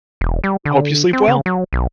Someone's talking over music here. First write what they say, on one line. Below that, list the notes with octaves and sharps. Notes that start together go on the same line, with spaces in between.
hope you sleep well.
E1
G3
D3
C4
C#3
F#3
B1